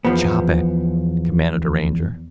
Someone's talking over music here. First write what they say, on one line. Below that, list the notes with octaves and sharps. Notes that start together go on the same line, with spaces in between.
"Chop it!" commanded a Ranger.
E2 F3 B3